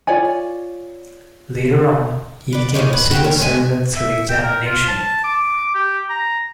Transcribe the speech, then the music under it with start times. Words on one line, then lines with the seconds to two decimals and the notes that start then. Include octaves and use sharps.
Later on, he became a civil servant through examination.
0.07 F4 C#5 D5 G#5
2.53 B4 D5
2.74 A#2 E3 F3 C#4 D#4
2.93 B4
3.11 F#4 G4 G5
3.24 A#2 A3 C#4
3.42 G#3 E5 G#5
3.96 E5
4.29 G5
4.44 A#4
4.66 F4
4.88 A5
5.24 D6
5.75 G4
6.10 A#5